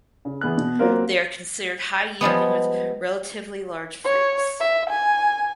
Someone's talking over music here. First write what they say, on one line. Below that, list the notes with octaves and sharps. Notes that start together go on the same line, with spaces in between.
They are considered high yielding with relatively large fruits.
C#3
E3 B3 G#4 F#6
B2
F#3 A#3 C4 F4 A#4
F3 G3 G#3 B3
C#5
E5
G#5